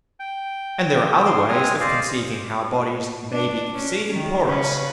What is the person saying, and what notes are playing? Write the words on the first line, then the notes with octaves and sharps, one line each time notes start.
And there are other ways of conceiving how Bodies may be exceeding porous.
G5
C6
G#3 C4 G#5 D#6 F6
C5 D5 D#5 F5
D4
C#4
D#3
C#3 C#4 B4